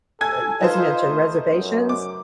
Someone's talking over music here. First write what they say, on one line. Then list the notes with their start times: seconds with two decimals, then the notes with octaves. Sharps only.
uh, as you mentioned, reservations.
0.21 A4 G#5 G#6
0.61 D#4 F4 B4 C5
1.09 A3
1.48 F#2
1.89 D6